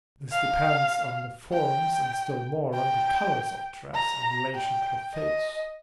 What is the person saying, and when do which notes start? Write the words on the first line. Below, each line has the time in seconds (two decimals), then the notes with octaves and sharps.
This depends on the forms and still more on the colors of dress in relation to the face.
0.32 F5
1.53 G5
2.74 G5
3.94 A#5
4.55 G5
5.15 D#5